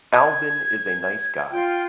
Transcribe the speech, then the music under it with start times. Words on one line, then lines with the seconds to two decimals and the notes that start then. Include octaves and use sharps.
Alvyn is a nice guy.
0.14 G#6
1.51 F4 G5